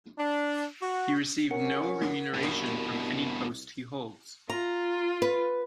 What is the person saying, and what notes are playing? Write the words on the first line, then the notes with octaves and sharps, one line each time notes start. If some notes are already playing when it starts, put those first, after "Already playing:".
He received no remuneration from any post he holds.
D4
F#4
C3 F#3 C#4 A#4 F#5 C#7
C2 G2 B2
F4 A#5
B4